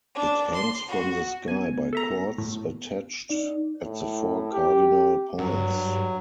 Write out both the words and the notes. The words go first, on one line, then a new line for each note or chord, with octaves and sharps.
It hangs from the sky by cords attached at the four cardinal points.
D4
C6
F#4
B3 G#5
A4 E5 A#5
A2
D#4 D5
A2
G4
G2 F#3